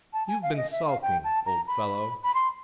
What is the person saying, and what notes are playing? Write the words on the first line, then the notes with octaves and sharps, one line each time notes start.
You've been sulking, old fellow.
A5
G#5
F5
E5
D#5
E5
F5
G5
A5
A#5
B5
B5
C6